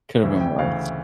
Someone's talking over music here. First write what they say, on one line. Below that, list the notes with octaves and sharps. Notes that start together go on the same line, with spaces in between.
could have been worse.
D2 C#3 E3 E5
G5
D2 C#3 E3 F5
E5